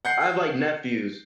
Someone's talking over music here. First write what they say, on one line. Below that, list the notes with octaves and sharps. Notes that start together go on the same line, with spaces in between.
I have, like, nephews.
F#5 G6 C7